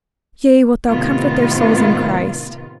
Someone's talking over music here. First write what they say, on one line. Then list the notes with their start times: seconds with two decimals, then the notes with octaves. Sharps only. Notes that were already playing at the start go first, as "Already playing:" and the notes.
Yea, wilt thou comfort their souls in Christ.
0.90 A2 C3 D#3 B3 F4